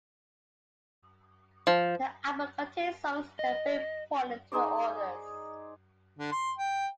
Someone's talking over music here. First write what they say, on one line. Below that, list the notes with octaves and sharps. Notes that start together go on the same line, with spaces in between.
The album contained songs that were very important to the authors.
F3
D#5
D#4 G#4 C5 D5
D3
C6
G5